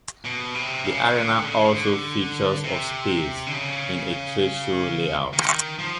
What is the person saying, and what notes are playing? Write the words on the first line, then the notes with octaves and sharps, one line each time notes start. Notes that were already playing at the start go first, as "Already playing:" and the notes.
The arena also features of space in a trade show layout.
B2
C3
C#3
D3
C#3
D3
C3
D3
C#3
D#3
F3